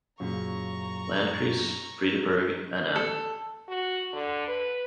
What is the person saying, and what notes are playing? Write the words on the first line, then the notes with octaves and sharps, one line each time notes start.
Landkreis Friedeberg Nm.
F#2 A#2 C#3 A#5 C#6
A4
F#4
D3
B4